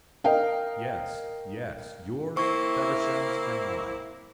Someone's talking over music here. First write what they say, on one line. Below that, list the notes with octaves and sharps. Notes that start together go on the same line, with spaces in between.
Yes--yes, yours, Feversham's, and mine.
A#4 D#5 F5 G5
A#3 C4 E4 C#6